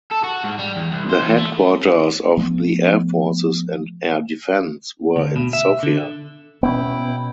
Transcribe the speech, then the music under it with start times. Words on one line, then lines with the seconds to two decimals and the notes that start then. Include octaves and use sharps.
The headquarters of the Air Forces and Air Defence were in Sofia.
0.11 A4
0.24 F#4
0.44 G#2
0.59 G3
0.76 E2
0.92 C2
1.10 C5
1.22 E3
1.38 A3
2.37 F3 A3 B3
5.16 D2
5.36 B2
5.53 E5
5.83 D3
6.63 B2 B3 C#4 E4 G5